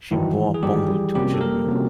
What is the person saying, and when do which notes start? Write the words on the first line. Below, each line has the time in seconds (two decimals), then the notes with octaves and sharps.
She bore Bongo two children.
0.11 G2 D#3 E3 F#3 E4
0.54 G#4
0.63 G2 D#3 F#3 G3 G4
1.15 C3 F3 G3 A#3 C#4 F#4 G4
1.34 A4
1.40 A#3 A#4
1.66 C3 F3 A#3 C#4 F#4